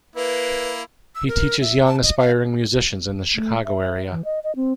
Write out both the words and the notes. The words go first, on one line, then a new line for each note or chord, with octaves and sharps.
He teaches young aspiring musicians in the Chicago area.
A#3 E4 B4
E6
A#4
E5
A5
D#5
F5
A3
E5
E3
D#5
D#5
C4